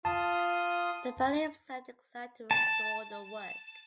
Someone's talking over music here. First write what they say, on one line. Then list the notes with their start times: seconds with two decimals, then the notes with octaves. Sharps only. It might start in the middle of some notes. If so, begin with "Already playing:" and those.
Dobell himself declined to restore the work.
0.05 F4 A5 C6 D#6
2.51 A5